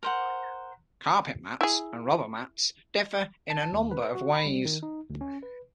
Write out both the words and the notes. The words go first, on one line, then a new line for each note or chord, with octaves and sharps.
Carpet mats and rubber mats differ in a number of ways.
A#4 C5 F#5
E4 G#4
A5
D#2
B4
F#4
B5
G3
D#3
D#4
D2
C#4
B4